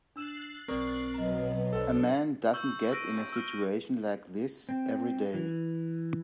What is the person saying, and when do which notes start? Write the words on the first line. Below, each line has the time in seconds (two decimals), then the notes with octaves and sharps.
A man doesn't get in a situation like this every day.
0.16 D4 E6 F#6 A6 C7 E7
0.68 B1 C4 A#4 D5 C#6 D#6
1.14 B2 F#3 B3 D#5 A#5
1.73 B1 D4 A4 C5
2.54 C#6 E6 G6 F#7
2.91 E6 F#6 A#6 D7 D#7
3.33 E6 F6
4.69 C4
5.34 E3